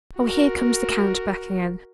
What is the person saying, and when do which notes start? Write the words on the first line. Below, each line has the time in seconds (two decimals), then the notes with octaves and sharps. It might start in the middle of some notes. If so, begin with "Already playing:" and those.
Oh, here comes the count back again.
0.18 F#4 A#4